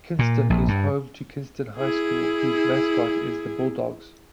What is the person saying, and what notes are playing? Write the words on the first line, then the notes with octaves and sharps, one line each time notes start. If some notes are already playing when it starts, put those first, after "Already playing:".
Kinston is home to Kinston High School, whose mascot is the Bulldogs.
A#2
A#1
G2
E4 G#4